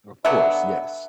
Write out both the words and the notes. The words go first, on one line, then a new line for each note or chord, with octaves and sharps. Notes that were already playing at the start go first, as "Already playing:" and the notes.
Of course, yes.
D3 F#3 B3 E5